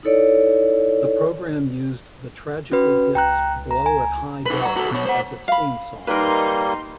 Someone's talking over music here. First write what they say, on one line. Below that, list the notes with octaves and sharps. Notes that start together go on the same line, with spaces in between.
The program used The Tragically Hip's "Blow at High Dough" as its theme song.
D#4 E4 A4 C#5 D5
C#4 F#4 B4
C#2 G5 A#5 F#6
A#5
G#5
D#4 B4
F#5 A#5
F#4 A4
B2 C#5
C5 F#5
F5 B5
G3 A#3 D#4 A#4 B4 C6